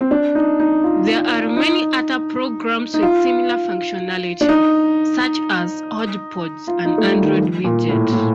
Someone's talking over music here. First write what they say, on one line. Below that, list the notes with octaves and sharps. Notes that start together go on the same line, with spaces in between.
There are many other programs with similar functionality, such as HodgePodge, an Android widget.
C4
D4
D#4
D#4
F4
D#4
D#4
F4
D4
D#4
F4
D#4
A3
G3
D#3
A#2
A2
A2